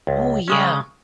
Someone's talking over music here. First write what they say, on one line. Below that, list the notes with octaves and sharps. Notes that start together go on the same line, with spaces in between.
Oh, yeah.
C#2
C#3 G#3 C#4